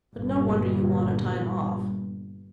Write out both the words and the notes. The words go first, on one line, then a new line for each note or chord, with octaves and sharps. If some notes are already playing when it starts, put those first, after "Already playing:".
But no wonder you want a time off.
G1 G2 A#2